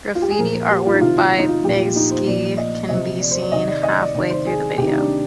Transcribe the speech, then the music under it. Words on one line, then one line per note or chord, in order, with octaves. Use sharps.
Graffiti artwork by Banksy can be seen halfway through the video.
F4
G4
G#4
A#2 F3 A#4
G4
F4
D#4
C3 D#3 F4
F4
D#4
F4
A#2 F3 G4
F4
D#4
C5
A#2 F3 D5
D#5
C3 F3 D#5
D5
C5
D5
C3 D#3 D#5
D5
D#5
D5
C3 D#3 D5
C5
G#4
C3 D#3 G4
D#4
D4